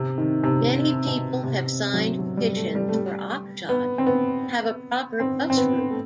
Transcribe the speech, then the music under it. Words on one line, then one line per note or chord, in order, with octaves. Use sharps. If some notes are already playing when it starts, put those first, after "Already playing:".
Many people have signed petitions for Oxshott to have a proper bus route.
Already playing: C3
D#3
C3
B2
C3
F#3
F#3
G3
A3
G3
A3
G3
B3
C4
B3
C4
C4
B3
A3